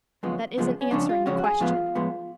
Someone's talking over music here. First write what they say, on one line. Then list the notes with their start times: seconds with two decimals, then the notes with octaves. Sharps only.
"That isn't answering the question."
0.23 F#2 C#3 F3 G#3 B3
0.58 F#2 C#3 F3 G#3 B3
0.81 C#4
0.91 F2 C#3 G#3 C#4 D4
1.09 F4
1.26 F2 C#3 G#3 C#4 F#4
1.38 F#4
1.44 G#4
1.60 A2 F3 G#3 B3 F4
1.95 A2 F3 G#3 B3